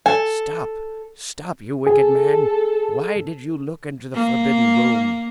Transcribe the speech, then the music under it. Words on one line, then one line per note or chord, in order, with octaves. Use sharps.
"Stop! stop, you wicked man, why did you look into the forbidden room?"
A4 G#5
G#4 A4
A#3